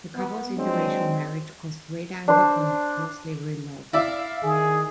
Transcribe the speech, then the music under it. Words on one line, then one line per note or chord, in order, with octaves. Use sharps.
The couple's inter-racial marriage caused great anger from the pro-slavery lobby.
B3
F#3 G#3 C4 D4
D4 C5
E4 D5 E5 F5
D#3 G#4